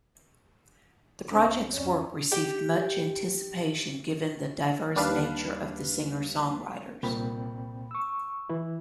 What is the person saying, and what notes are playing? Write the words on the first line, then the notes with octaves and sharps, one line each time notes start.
The project's work received much anticipation given the diverse nature of the singer-songwriters.
C#2 C4 D4 A4 C5
F2 C#4 C#5 D5
G4 G5
D#2 G3 D4 B4 F5
C2 A#2 C4 G5 B5
C#6 E6
E3 E4